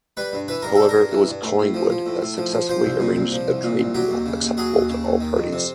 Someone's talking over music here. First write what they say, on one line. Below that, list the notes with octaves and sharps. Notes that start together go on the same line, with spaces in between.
However, it was Collingwood that successfully arranged a trade deal acceptable to all parties.
G3 B4
G2
E3 B4
G2 A#4
G3 A4
A#4
G2
E3
G2
A2
A2
F3
F3
A2
A2
F3
F3
F3 C5
C2
A#2
C2
F3
C2
A#2
C2
F#3 G4
D#2
C#3
D#2
F#3 G#4
D#2
C#3
D#2
D#3
F2
C3